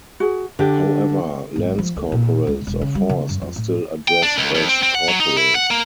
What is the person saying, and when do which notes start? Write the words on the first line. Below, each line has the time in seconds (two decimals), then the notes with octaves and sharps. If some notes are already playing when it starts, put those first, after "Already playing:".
However, lance corporals of horse are still addressed as "Corporal".
0.20 F#4 G#4
0.59 D3 D4 G4
1.56 G#1
1.78 F3
1.96 D2
2.12 A#2
2.47 C#2
2.67 E1
2.81 C#3
2.95 G3
3.09 C#3
3.29 F#2
3.42 F2
3.56 A2
4.08 G5
4.23 D4
4.38 C#2
4.55 F2
4.69 C4
4.83 C4
4.95 F#5
5.08 F#3
5.20 D#4
5.37 E4
5.55 F#5
5.71 A#3